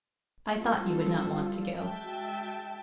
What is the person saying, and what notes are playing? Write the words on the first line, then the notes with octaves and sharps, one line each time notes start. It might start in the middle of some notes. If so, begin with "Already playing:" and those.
I thought you would not want to go.
G3 C4 E4 F4 A4
G#3 F#4 E5 G5 A5